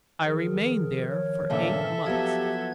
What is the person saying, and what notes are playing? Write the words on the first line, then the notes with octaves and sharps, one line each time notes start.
I remained there for eight months.
D#3 F3 G#4 A#4
C#5
G2 A#2 C#3 A4 E5
F3 F#3 B3 G4 G#6